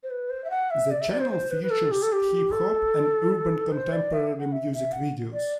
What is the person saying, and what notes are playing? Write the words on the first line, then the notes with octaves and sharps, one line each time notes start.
The channel features hip-hop and urban contemporary music videos.
C5
B4
C5
E5
F#5
E5
D5
E5
D5
C5
C5
B4
B4
A4
G4
A4
G4
A4
C5
D5
E5
F#5
E5
E5
F#5
D5